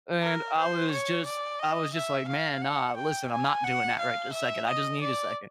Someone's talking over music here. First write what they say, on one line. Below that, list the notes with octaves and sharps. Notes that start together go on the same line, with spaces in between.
and I was just I was just like, "Man, nah, listen, I'm not doing that right this second, I just need a second."
A#4
C5
C#5
D5
D#5
E5
F5
F#5
G5
G#5
F#5
F5
E5
D#5
D5